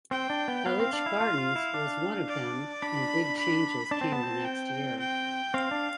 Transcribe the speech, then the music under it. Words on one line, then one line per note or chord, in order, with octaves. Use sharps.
Elitch Gardens was one of them and big changes came the next year.
C4 G5
D4
B3
B3 F5
C4
D4
E4
F4
F4
E4
D4
D5
D4 B5
B5
D4 A5
C4
B3
C4
G5
G5
C4 F5
D4